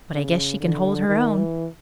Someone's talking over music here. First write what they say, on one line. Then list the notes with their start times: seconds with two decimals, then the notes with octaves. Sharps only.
But I guess she can hold her own.
0.13 C#3
0.60 D3
1.07 D#3
1.38 E3